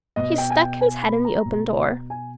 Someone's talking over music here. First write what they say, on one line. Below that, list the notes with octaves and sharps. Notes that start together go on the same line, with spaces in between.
He stuck his head in the open door.
B2 D#5
G5
G#5
G5
G#5
B5
A#5
B2
G#5